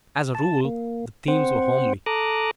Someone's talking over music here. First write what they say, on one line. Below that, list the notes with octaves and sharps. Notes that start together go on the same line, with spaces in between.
As a rule the themes were homely.
A5
A#3
C4 C5 F#5
A4 A#5 D6 D#6 F#6